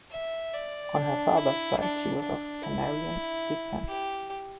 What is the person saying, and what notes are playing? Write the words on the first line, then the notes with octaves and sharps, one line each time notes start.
On her father's side, she was of Canarian descent.
E5
D5
D4
E4
D4
D4
E4
G4